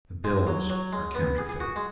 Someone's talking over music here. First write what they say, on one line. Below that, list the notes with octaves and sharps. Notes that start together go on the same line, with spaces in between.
"The bills are counterfeit."
G#3
F#3
F#3
G#3
B3
G#4
G#4
F#4
G#3